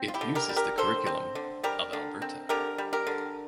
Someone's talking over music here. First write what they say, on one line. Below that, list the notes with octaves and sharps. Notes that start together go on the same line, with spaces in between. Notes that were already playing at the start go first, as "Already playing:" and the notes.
It uses the curriculum of Alberta.
Already playing: C4
F4
E4 G4
D3
G4 A#4
G3
G4 A#4
D3 A4 C5
C4
D3
G3 G4 A#4
D3
C4
D3 G4 A#4
G3
G4 A#4
D3